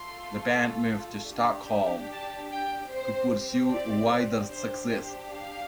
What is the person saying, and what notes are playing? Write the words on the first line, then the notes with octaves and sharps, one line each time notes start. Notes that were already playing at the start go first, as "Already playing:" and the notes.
The band moved to Stockholm to pursue wider success.
Already playing: A3 F4 A4 C6
D4 G4
A5
G5
C4 G4 C5
D5
D4 G4 C5
C5
F5